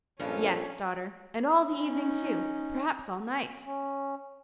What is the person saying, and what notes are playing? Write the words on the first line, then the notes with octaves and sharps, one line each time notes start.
"Yes, daughter, and all the evening, too; perhaps all night."
A#1 G2 C4 C#4 F4 A4
C#4 D#4
C#4